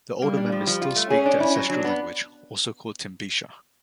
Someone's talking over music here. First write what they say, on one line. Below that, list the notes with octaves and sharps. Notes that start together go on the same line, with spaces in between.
The older members still speak the ancestral language, also called Timbisha.
G3 A#3
D4
F3
F3
F4
A3
C#4 G#4
D4
E4
F#3
F#3 D4
B3